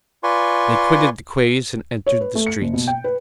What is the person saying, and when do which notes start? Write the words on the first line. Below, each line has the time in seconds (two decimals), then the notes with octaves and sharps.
They quitted the quays and entered the streets.
0.24 F4 B4 D5 G#5 C6 C#6
2.06 C#5
2.21 B4
2.35 A3
2.47 C#7
2.62 F#1
2.73 B2
2.87 G5
3.04 B4